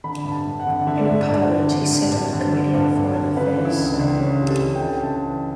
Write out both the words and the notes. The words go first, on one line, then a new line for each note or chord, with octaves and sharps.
In Parliament, he sat on the Committee on Foreign Affairs.
D3 B5
G2
A5
G2
F#5
D3
D3 E5
D5
G2 E5
G2 D5
D3
D3
G2
G2
D3
D3
G2
G2
D3
C#3 B4
E3
E4
C#2
D4
C#2
C#3 C#4
E3 G4
A4
C#2
G5
C#2
G5
C#3 A5
E3